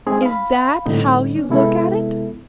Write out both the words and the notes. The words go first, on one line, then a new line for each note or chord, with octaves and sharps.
Is that how you look at it?
G#3 C4 D#4 G#4
F5 B5
A2 D3 G3 C4 D#4
C#4 D4
C3 G#3 B3 E4 A4